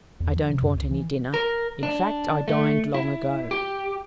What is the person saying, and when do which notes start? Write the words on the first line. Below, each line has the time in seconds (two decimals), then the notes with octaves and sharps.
I don't want any dinner; in fact, I dined long ago.
0.20 E2
0.36 F3
0.50 C3
0.62 F#2
0.75 C#2
0.91 E3
1.34 A#4
1.83 D4
2.48 A3
2.94 E4
3.51 G4